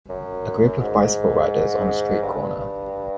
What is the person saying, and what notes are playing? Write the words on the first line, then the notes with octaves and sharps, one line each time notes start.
A group of bicycle riders on street corner.
F#2
G#2
G2